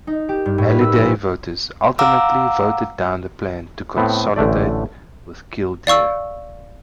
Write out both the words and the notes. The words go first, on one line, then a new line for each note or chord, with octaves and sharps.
Halliday voters ultimately voted down the plan to consolidate with Killdeer.
D#4
G4
G2
A2
B4
E6
A#1
F5 F#5 A#5 D6 E6
A2 B3 C4
A1 D3 A3 D5
D5 F5 C#6 E6